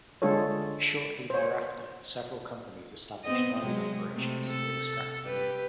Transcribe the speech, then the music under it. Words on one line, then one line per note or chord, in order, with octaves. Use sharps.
Shortly thereafter several companies established mining operations to extract the mineral.
D3 G#3 D4 F4 A4 C#5
C5 C#5
B3 C4 D#5
C3 F#3 G#3
C3 A3
A4
G4 B4